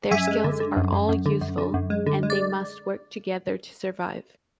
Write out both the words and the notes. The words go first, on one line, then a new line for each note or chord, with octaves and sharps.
Their skills are all useful, and they must work together to survive.
F#2 E5 G#5
G#3
D3
D3
F#2
F#2
F#2
D3
F#2
D3
F#2
G#3
D3
G#3
D5